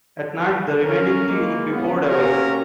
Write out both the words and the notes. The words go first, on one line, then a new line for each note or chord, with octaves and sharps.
At night, the remaining tea would be poured away.
C#4 A#4
G#3 A#3
C#3 B3
C3 A#3 C#4 F#4 G4 A#4